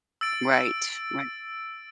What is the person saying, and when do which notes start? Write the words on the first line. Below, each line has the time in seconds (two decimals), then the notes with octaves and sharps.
Right, right.
0.21 E6 A6 D7